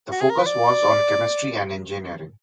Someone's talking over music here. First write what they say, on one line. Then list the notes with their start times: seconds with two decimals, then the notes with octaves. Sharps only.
The focus was on chemistry and engineering.
0.12 F#4
0.21 G#4
0.30 A#4
0.38 B4
0.46 D5